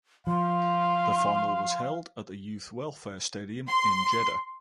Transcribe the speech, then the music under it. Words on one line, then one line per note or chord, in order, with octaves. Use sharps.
The final was held at the Youth Welfare Stadium in Jeddah.
F3 F5 C6
C6